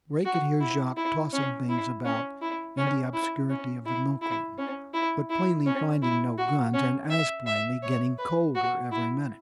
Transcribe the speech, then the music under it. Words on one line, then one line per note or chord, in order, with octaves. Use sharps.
Ray could hear Jacques tossing things about in the obscurity of the milk-room, but plainly finding no guns, and as plainly getting colder every minute.
F#4
E4
E4
C#4
E4
C#4
E4
C#4
E4
C#4
E4
E4
C#4
E4
E4
C#4
E4
F#4
C#4
E5
E5
C#5
B4
F#4
E4